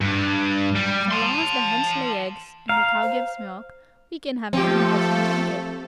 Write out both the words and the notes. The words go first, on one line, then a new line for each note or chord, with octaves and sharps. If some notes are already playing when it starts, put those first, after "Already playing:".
So long as the hens lay eggs and the cow gives milk we can have omelettes and junket.
G2
G3
A5 C6
F5 A#5
C5
F3 A3 C4 G4 A4